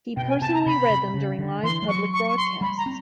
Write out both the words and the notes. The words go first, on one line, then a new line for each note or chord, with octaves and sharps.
He personally read them during live public broadcasts.
B2 G5
G#5
C3 A5
A#5
C3 B5
C3
C#3
D3
E3 C6
G3
F#3 C#6
C#6
C#6
C6
G3 B5
A#5
C4